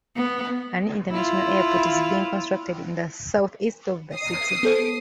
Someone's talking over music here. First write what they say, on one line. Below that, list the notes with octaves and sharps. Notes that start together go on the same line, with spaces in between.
A new international airport is being constructed in the southeast of the city.
B3
E4 F4
D#6 C7
B3 A4 C5